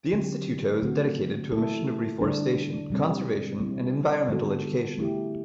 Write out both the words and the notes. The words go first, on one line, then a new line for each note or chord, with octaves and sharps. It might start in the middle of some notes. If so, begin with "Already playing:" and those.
The Instituto is dedicated to a mission of reforestation, conservation and environmental education.
D3 F#3 C4 G4
D3 A3 C4 F#4
A3 E4 A4
D3 G3 D4
B2 G3 C4
G3 C4 E4
D3 G3 B3 F#4 A4
A3 E4 G4